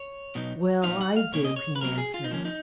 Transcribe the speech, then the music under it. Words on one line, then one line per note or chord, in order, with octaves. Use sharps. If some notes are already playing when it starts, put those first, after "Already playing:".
"Well, I do," he answered.
Already playing: C#5
B2 F#3 B3 D#4
A#2 F#3 B3 D#4 F5
F#5
F5
B2 A#3 C#4 C#5
D#5
C#5
B4
B2 F#3 A#3 A#4
G#4
F4
D#4
F3 A#3 C#4
D#4